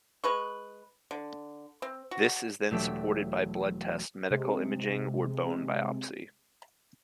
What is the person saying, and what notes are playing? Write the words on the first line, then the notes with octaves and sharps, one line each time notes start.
This is then supported by blood tests, medical imaging, or bone biopsy.
G#3 B4 C#6
D3
C4
F#4
E1 F#3 A3 G4 A4 E5
C3 G#3